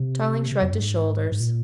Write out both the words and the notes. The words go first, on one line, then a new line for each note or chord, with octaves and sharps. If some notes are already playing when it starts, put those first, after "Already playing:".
Tarling shrugged his shoulders.
Already playing: C3
C3
F2
G2
G#2
G#2
A#2